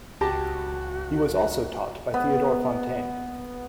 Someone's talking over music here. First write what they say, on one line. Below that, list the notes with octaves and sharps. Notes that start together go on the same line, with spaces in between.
He was also taught by Theodor Fontane.
C#2 F#4 G4 A5 A#6
B3